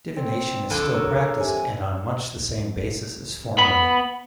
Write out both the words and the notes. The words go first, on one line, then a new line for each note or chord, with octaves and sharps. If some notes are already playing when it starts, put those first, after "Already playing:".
Divination is still practiced and on much the same basis as formerly.
C4
F2 D3 A4
A#4 C#5
C3 G#5
B3 B5